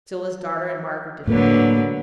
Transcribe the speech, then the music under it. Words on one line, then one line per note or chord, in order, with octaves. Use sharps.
Still his daughter and Margaret did not move.
A2 D3 F#3 A#3 B4